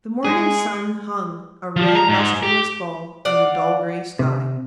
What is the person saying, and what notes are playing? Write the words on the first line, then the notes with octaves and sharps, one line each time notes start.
The morning sun hung, a red, lustreless ball, in the dull grey sky.
G#3 G#4
F3
A#5
G#2
G4
D5 F5 F#5
C3